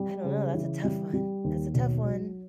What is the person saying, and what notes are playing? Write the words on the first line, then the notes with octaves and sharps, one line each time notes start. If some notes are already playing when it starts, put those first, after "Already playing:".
I don't know. That's a tough one. That's a tough one,
Already playing: G3
C#3
E3
G3
G3
D#2
B1
F#3